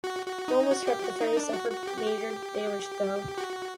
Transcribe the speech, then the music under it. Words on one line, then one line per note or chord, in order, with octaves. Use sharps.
No one was hurt, but the ferry suffered major damage though.
F#4
F#4
D#4
F#4
G4
F#4
D#4
D4
F#4
F#4
G4
F#4
G4
F#4